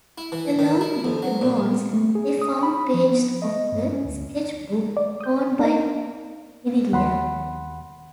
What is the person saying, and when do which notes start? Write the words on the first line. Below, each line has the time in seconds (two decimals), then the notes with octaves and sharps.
Along with the bones, they found pages of a sketchbook owned by Idilia.
0.18 E4
0.32 E3
0.59 D#3
0.81 E4
1.04 F2
1.22 F#3
1.41 A#2
1.94 A3
2.15 G#4
2.42 D#6
2.63 B5
2.94 F3
3.11 B3
3.42 D#5
3.72 G2
3.93 C#4
4.05 D2
4.97 D5
5.21 D#6 G6
5.59 D4 D#4
6.92 D#2 F#5 B5 C6